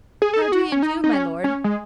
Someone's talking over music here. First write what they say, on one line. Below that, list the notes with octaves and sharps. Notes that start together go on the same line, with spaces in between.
How do you do, my Lord?'
G#4
A4
G#4
F#4
C#4
D#4
D#4
C#4
C#4
G#3